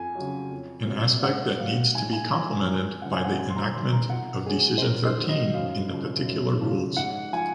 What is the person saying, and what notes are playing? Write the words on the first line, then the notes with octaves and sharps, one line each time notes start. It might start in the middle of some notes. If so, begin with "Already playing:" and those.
An aspect that needs to be complemented by the enactment of decision thirteen in the particular rules.
Already playing: F2 G#5
C#3 F#3
F2
C3 F#3
G#2 F#5
D#3 F#3 F5
G#2 G#5
G#5
F3 A#5
G#5
F2 G#5
C#3 F3 F#5
G#5
F#5
F#2 G#5
C6
A#5
D#3 C6
F#3
A#5
F2 F#5
C3 F#3 G#4
C5
F2 A#4
C5
D#3 F#3
D#5
F#2 F5
C#3 F3
F#2
C#3 F3
G#2 F#5
F3 G#5